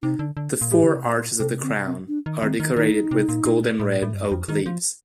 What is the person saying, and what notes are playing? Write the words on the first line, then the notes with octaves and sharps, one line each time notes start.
The four arches of the crown are decorated with gold and red oak leaves.
C3 D#4
D3
D3
A#2
A2 G4
D3
C3
A#2
C3 A4
D3 C4
C3
C4
D4
D#3
D#3 C4
D#3
D#3 D#4
C3
A#2
A#2
A2
A2
G2
F2
D#3
F3